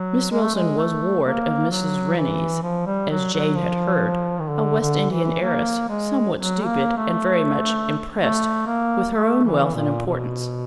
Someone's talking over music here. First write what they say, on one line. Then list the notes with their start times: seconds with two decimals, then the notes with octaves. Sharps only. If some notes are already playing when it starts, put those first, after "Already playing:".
Miss Wilson was ward of Mrs. Rennie's, as Jane had heard, a West Indian heiress, somewhat stupid, and very much impressed with her own wealth and importance.
Already playing: F#3
0.31 G#3
0.42 A3
0.55 G#3
0.78 A3
1.25 A#3
1.70 F#3
2.17 E3
2.63 F3
2.86 G3
3.10 F#3
3.33 F#3
3.56 F3
4.39 D#3
4.49 D3
4.81 D3
5.10 E3
5.42 A#3
5.89 G#3
6.35 F#3
6.65 A#3
6.97 A3
8.20 A3
8.67 A#3
9.14 A3
9.44 E3
9.75 A#2
10.06 B2